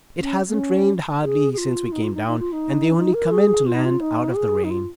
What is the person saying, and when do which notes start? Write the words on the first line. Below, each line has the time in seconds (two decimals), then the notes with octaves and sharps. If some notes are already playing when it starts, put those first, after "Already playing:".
"It hasn't rained hardly since we came down, and they only come in to land out of the rain."
0.20 C#4
0.49 A#3
0.53 C#4
1.23 G#4
1.53 G#4
1.58 F4
1.92 D#4
2.03 F4
2.14 D#4
2.27 D#4
2.39 F4
2.52 D#4
2.92 C#4
2.97 D#4
3.14 A#4
3.31 G#4
3.66 F4
3.75 D#4
3.85 F4
4.01 D#4
4.36 G#4
4.64 D#4
4.70 F4